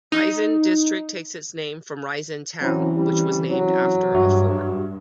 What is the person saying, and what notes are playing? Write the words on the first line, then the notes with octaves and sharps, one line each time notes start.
Raisen District takes its name from Raisen town, which is named after a fort.
D#4
E3 F#3 C4 C#4 E4
G3
F#3
G2 F#4 E5